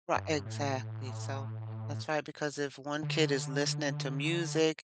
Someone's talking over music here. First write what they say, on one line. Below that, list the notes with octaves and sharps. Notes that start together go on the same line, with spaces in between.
Ri exactly, so that's right, because if one kid is listening to music,
G2
A2
D3